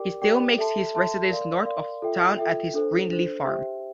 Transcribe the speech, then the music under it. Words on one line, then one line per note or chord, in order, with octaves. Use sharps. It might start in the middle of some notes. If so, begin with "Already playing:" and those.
He still makes his residence north of town at his Brindley Farm.
Already playing: G4 A#4 D5 G5 D6
G4 A#4 D5 G5 D6
A4 E5 A5 C6
A4 E5 A5 C6
A#4 D5 F5 C6
A#4 D5 F5 C6
F4 A4 E5 G5
F4 A4 E5 G5
D4 A4 C5
D4 A4 C5
G4 C5 E5 G5